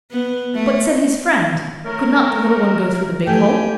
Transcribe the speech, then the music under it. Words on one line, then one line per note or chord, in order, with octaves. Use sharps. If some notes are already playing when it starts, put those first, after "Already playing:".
"But," said his friend, "could not the little one go through the big hole?"
B3
A3
A2 F#3 A3 A#4
A3 G4 G5 G#5